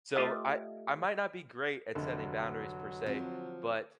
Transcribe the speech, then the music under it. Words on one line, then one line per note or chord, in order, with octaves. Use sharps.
so, I I might not be great at setting boundaries per se, but,
A3 F4 G4 D#5 F5
F1 D3 F#3
F3 C4